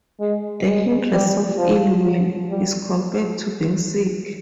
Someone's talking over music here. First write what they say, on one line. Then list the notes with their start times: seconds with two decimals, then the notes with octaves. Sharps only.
The hindrance of ill will is compared to being sick.
0.19 G#3
0.65 G#3
1.11 G3
1.57 F3
2.03 F#3
2.49 G3